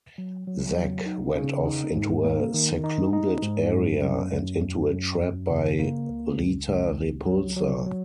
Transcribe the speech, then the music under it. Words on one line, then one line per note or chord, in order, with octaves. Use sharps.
Zack went off into a secluded area, and into a trap by Rita Repulsa.
F#3
F#3
F#3
D#4
C#3
D#4
G#2
A#3
D#3
D#4
D#4
G#2
F#2
F#2
F#2
F#2
F#2
F#2
C#3
A#3
C#2
C#2
C#2
C#2
F#3
F#3
F#3